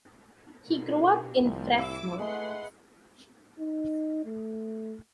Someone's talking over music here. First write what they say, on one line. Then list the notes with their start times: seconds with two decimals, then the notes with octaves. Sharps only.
He grew up in Fresno.
0.66 B2 D3 A#3
1.10 G4
1.43 C2 A2 F3 C4
1.78 E4 D6 E6
2.19 G#3 A3 B4 F#5 C6
3.59 D#4
4.26 A3